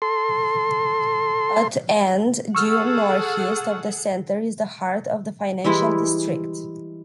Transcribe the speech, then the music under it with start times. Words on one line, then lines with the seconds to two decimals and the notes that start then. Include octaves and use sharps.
At and due northeast of the centre is the heart of the Financial District.
0.02 A4 C6
2.55 G#4 A4 F#5 C#6 E6 F6
5.64 E3 G3 G#3 E4